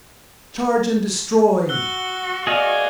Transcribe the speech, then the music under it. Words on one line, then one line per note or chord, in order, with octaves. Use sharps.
Charge and destroy!
F#4 E6 F#6 G7
G#4 D5 D#5 F5